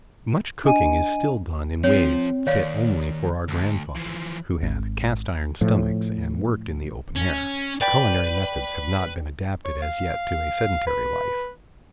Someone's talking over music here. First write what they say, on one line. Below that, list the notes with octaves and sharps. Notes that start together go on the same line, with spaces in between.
Much cooking is still done in ways fit only for our grandfathers who had cast-iron stomachs and worked in the open air. Culinary methods have not been adapted as yet to a sedentary life.
D4 D#5 G#5 D#7
F3 C4 C#5
D#2 C#5 D5 F5
D2
E3 F3
G#1
A2 F3
C#4
B4 D5 G5 B5
C#5
F5
B4